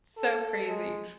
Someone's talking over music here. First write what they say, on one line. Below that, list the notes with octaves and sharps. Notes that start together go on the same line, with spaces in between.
It's so crazy.
A4
G#3